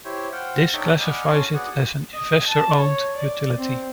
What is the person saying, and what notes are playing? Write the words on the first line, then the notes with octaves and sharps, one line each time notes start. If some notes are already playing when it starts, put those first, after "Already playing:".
This classifies it as an investor-owned utility.
E4 G4 C5 C#5
F4 C5 F#5 G5
D4 D#4 A4 C#5 E5 G5
D5 D#5 F#5 G#5 B5 F6
C#4 C#5 A5 C6
B3 F#4 G#4 D5 F#5 G#5
D#5
A5
C#5
D5
C4